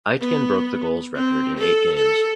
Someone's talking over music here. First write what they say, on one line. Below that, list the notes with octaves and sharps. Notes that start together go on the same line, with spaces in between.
Aitken broke the goals record in eight games.
B3
C4
A4
A4